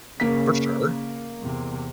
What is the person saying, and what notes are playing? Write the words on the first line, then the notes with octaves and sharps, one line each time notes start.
For sure.
C#3 A#3 B6
E2 C3